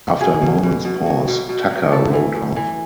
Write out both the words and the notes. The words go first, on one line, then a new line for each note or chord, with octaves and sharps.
After a moment's pause, Tucker rode off.
B2 G#4
B2
B2
B2
F#3
B2
B2
F#3
A2 A4
E3
A2
E3